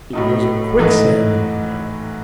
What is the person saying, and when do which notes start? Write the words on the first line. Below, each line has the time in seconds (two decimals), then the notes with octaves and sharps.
It was a quicksand of a bed.
0.13 A2 F#3 A3 D#4
0.79 G#2 E3 A3 D#4